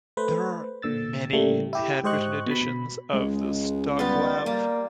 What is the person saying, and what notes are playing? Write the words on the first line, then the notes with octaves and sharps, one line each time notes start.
There are many hand-written editions of the "Stoglav".
A3 B4 C5
A#2 D3 E6 A6
A2 C#3 G3 A3 A#3
E4 G4
G#2 G4 C5 D#5 C#6 F#6
B2 B5
C#2 G#3
G3 B3 F4 A6
G3 A#3